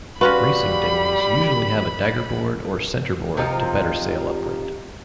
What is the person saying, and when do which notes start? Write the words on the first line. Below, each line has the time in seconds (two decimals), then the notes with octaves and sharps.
Racing dinghies usually have a daggerboard or centreboard to better sail upwind.
0.21 G3 C#4 F4 F#4 B4 B5
3.37 C3 F3 D#4 F4